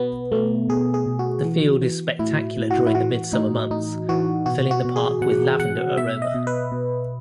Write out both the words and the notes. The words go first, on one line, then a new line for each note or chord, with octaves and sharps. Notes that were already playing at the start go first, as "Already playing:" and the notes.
The field is spectacular during the midsummer months, filling the park with lavender aroma.
Already playing: B2 B3
B2 A3
B2 G#4
G#4
B2
F#4
E3
E3
A2 E4
A2
F#4
E4
E3 F#4
A2 D#4
A2 D#4
E3 F#4
B2 F#4
F#4
B2
G#4
B2 F#5
B2 F#5
B2 E5
D#5
B2
B4
B2